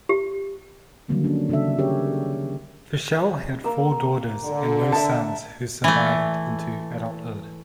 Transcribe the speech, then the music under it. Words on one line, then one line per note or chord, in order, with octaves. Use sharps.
Fischel had four daughters and no sons who survived into adulthood.
G4
D3 D#3 F#3 G3 A#3 C4
C#4 D4
C#3 D4 F#4 A4 E5
C#4 G4 G#4 A#4 C#5
A#3 E6
D3
E5 A5
E3 A3